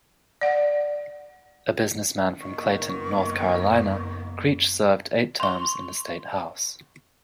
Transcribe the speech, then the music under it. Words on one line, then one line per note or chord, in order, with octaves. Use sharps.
A businessman from Clayton, North Carolina, Creech served eight terms in the state House.
D5 F#5
F#1 D#3 A#3 B3 C#6
C6 C#6